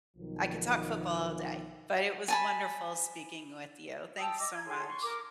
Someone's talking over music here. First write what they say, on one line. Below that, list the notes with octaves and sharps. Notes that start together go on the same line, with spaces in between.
I could talk football all day, but it was wonderful speaking with you, thanks so much.
B1 D#3 F3
G#5 A5 B5
G5 A5 D#6 E6
D#5 D6 E6
A#5 G#6
G#4 A4 C#5 C6
C6 C#6
A#4 D6